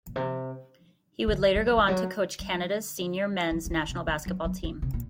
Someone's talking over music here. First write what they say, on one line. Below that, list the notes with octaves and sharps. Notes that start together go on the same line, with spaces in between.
He would later go on to coach Canada's senior men's national basketball team.
A#2
C3
D3
G3
F#3
D#3
F#3
G3
F#3
F#3
D#3
C3
D3
F#3
F#3
D3
C3
A#2